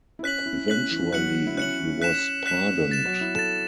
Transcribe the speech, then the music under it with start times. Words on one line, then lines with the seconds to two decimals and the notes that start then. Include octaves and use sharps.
Eventually he was pardoned.
0.19 E4
0.23 C#4 F#6 B6 F#7
0.38 C#4
0.46 E4
0.68 C#4 F#6 B6 F#7
0.91 E3
1.03 E3
1.13 F#3 F#6 C#7 F#7
1.46 E4
1.57 C#4 F#6 C#7 F#7
2.02 F#6 B6 E7
2.46 F#6 B6 E7
2.91 A6 E7
3.05 F#3
3.21 E4
3.35 A4 A6 E7